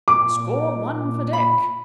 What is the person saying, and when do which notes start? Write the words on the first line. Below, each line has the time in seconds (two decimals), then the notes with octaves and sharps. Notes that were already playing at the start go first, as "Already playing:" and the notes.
Score one for Dick.
0.08 A#2 D6
1.33 B5